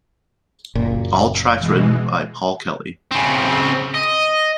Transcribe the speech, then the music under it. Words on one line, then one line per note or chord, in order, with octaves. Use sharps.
All tracks written by Paul Kelly.
F#1 A#2
B2 E3 G#3
C#3 C4
D#5